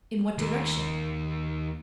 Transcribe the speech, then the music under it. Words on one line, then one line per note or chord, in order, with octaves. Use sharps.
In what direction?
D#2